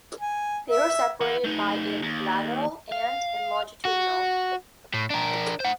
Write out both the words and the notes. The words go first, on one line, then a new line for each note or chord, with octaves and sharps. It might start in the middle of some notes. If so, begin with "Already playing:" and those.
They were separated by in lateral and in longitudinal.
G#5
E5
E4 F#5
A3 D#4
D#2
F5
F#4
A2
D4 A#4
C5 F#5